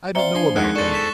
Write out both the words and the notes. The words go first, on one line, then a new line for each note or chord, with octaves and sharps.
"I don't know about that."
C4 F4 D5 E5 A#5 C#7 G7
F3 D4 G#5 C6
F2 G#3 D#4 G#4 A#4 F#5 F#6
A4 C5 D5 C#6 A6
C#6 B6 E7